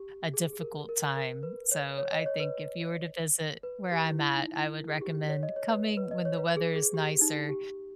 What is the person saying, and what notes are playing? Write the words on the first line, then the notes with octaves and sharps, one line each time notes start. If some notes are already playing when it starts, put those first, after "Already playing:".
a difficult time," so I think if you were to visit where I'm at I would recommend coming when the weather is nicer
Already playing: G4
G#4
G#4
A#4
A#4
A#4
B4
C#5
C#5
D#5
C#5
B4
B4
G4
E4
E4
D#4
E4
A#4
G#4
G4
G4
C#5
D#5
C#5
B4
B4
D#5
C#5
B4
G#4
G#4
G4
D#4
G4